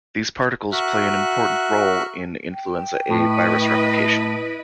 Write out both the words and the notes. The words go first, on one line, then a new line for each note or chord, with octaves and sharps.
These particles play an important role in influenza A virus replication.
F#4 A#4 E5 F#6
G5
A2 E4 B4 D#5